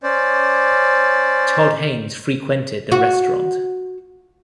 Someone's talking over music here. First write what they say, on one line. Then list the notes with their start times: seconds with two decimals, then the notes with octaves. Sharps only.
Todd Haynes frequented the restaurant.
0.03 C#4 C5 D5
2.92 F#4